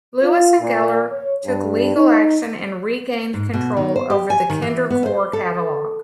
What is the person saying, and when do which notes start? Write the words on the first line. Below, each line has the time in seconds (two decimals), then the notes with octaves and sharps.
Lewis and Geller took legal action and regained control over the Kindercore catalog.
0.23 F4
0.59 A#2
1.10 C#5
1.45 G2
1.96 D#4
3.34 G#2
3.53 B2
3.77 D#3
3.96 C5
4.10 G4
4.30 G#5
4.50 D#3
4.62 E3
4.90 B3
5.06 C5
5.33 A4